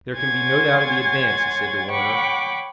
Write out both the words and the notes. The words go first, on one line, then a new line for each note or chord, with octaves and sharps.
"There can be no doubt of the advance!" he said to Warner.
C#5 F#5 G#5 C6 G#6 A6
C#5 F#5 G5 B5 C#6 D6